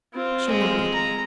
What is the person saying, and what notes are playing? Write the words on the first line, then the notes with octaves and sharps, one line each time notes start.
She nodded.
C4 F4
G#3
A#5